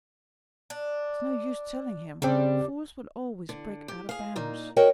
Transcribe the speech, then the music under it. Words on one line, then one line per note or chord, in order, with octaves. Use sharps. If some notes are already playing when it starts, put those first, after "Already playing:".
It's no use telling him, fools will always break out o' bounds.
D4
C#3 G3 C4 D4
D3
G4
G#4 F5
A#2 A#3 D#4
F#4 A#4 C#5 D#5 G5